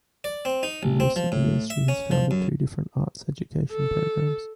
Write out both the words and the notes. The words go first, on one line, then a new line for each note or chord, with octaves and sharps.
In recent years, she has founded two different arts education programs.
D5
C4
D#4
A1
C4
F3
A2
E5
C#4
F3
F#2
A4